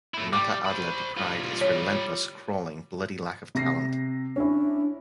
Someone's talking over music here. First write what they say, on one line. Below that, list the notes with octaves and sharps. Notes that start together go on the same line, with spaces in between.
Renata Adler decried "its relentless, crawling, bloody lack of talent".
A3 E4
G3 D6
C5 B5
G3 F4
C#5
C3 A#6 C7
C#4 D4 E4